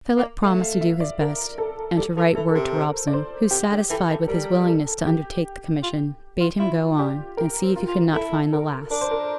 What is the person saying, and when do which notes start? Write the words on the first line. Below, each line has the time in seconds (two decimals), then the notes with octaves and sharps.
Philip promised to do his best, and to write word to Robson, who, satisfied with his willingness to undertake the commission, bade him go on and see if he could not find the lass.
0.17 A#3
0.42 A3 F5
0.62 F5
0.81 E5
1.00 D5
1.21 A#4
1.58 A4
1.97 G3 A4
2.17 F3 A4
2.35 E3 A4
2.49 A4
2.55 C3 A#4
2.75 C5
3.07 D5
3.13 C5
3.51 C3 G4
3.71 D3
3.90 E3 A4
4.10 E3
4.28 G3 A#4
4.67 A4
5.06 G4
5.83 F4
6.41 F4
6.59 E4 F4
6.98 D4 G4
7.37 A#4
7.63 C4
7.76 F4
7.88 F4
8.13 E4 A4
8.53 A#4
8.90 D4 A#4
9.01 C5
9.11 A#4